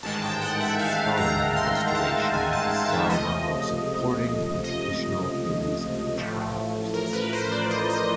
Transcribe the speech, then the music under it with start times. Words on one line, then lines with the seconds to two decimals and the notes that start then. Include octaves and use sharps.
Following the Restoration, Casaubon wrote supporting the traditional theories of witchcraft.
0.03 A1 G#2 D#3 G#3 A5
0.22 G5
0.41 F#5
0.61 E5
0.79 F5
1.18 A#5
1.56 C6
1.87 A#5
1.95 A5
2.34 G#5
2.53 A5
2.71 A5
2.91 E5
3.10 C#2 C3 F3 A3 D#5
4.64 D#5
6.18 A1 A2 F3 A3
6.94 A#4
7.06 A#4
7.13 B4
7.33 C5
7.52 D5
7.71 D#5
7.90 D#5